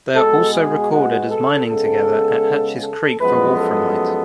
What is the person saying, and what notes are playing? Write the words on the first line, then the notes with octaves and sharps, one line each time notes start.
They are also recorded as mining together at Hatches Creek for wolframite.
B2 G#3 B3 A4
G#4
F#4
A4
C#3 G#3 B3 A4
A4
F#2 F3 G#3 B3 B4
A4